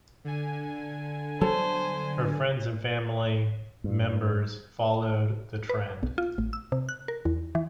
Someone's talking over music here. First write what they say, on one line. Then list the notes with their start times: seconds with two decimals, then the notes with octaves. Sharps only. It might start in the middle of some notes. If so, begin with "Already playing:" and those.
Her friends and family members followed the trend.
0.25 D3 G#5
1.41 F#3 G3 B3 A4 C5 C#5 A5
3.84 G2
5.69 B4
6.03 B1
6.18 F4
6.38 A1
6.53 E6
6.72 C3
6.89 F#6
7.08 A#4
7.25 E2
7.55 E3